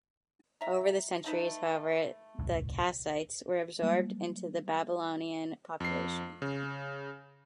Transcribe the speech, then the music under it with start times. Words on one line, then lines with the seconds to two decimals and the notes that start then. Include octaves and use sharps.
Over the centuries, however, the Kassites were absorbed into the Babylonian population.
0.61 E5 A#5
1.24 A3 D#4 B4
2.39 D#1 C2 A2
3.82 F#3 G3 A3 A#3
5.80 F2 C7
6.42 C#3